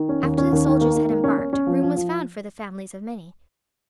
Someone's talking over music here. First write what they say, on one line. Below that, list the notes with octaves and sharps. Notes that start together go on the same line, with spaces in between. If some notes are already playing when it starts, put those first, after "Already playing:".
After the soldiers had embarked, room was found for the families of many.
Already playing: D#3
C#4
D#2
C#4
D#2
D#3
A#3
D#3
A#3
C#4
C#4
C#4
F3
F3
F3